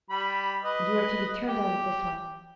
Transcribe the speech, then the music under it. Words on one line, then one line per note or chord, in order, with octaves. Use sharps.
"And you are to be turned out of this one."
G3 B5
B4 D#5
G4